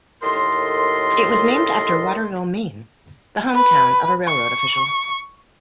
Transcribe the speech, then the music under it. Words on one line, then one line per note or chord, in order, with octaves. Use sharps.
It was named after Waterville, Maine, the hometown of a railroad official.
D#2 A2 A4 A#4 D#5 C6
B4
C#6